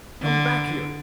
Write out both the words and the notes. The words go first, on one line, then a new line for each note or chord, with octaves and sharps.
Come back here!
D3